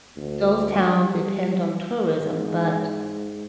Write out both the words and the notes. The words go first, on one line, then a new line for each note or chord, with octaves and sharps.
those towns depend on tourism, but,
D2
G3
G#2